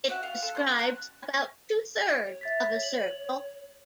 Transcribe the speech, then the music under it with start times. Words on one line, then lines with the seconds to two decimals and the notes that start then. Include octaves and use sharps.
It describes about two-thirds of a circle.
0.09 F#4 E5 F#5
0.23 F4 F5 F#5
0.42 A4
0.55 C#4 C6
0.67 F#4 F#5
0.79 A5 F#6
2.26 C#5
2.41 E5 A6 B6
2.83 F#7